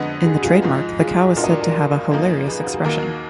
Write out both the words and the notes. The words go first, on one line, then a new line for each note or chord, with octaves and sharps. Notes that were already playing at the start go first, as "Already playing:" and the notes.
In the trademark, the cow is said to have a hilarious expression.
Already playing: F2 D3 G#3 B3 D#5 F#5
G#4
F#4
F4 G#4
G#2 F3 G#3 D#4
F4 G#4
A#2 G#3 D4 F4 F#4 A#4
D#5
A#4 D5
A#4 D5
F#2 F3 A#3 D#4
G#4 B4
F#4
G#4
D#2 D#3 A#3 F#4 A#4